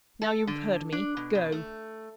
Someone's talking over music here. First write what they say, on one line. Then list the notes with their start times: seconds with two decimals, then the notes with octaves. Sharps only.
Now you have heard me, go!
0.22 A4
0.47 D3
0.92 D4
1.17 B2
1.35 B2
1.52 A3